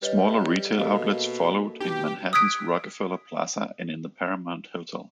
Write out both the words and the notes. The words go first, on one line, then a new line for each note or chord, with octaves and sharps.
Smaller retail outlets followed in Manhattan's Rockefeller Plaza and in the Paramount Hotel.
G3 B4 C#5 D#5
B2 A#3 G4 A4 A#4 D#5 F5
B2 D#4 G4
D#6 E6 F#6 G#6 B6 D7